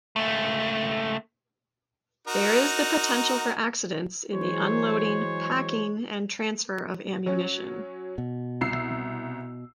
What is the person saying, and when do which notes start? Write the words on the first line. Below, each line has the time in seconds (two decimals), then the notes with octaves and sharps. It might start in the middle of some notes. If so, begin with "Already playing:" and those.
There is the potential for accidents in the unloading, packing, and transfer of ammunition.
0.16 C#2 A3
2.27 D#4 F#4 A#4
4.33 E3 F#3 G#3 G#4 C5 C#5
7.26 F#3 C#4
8.18 B2
8.61 C2 E6 C7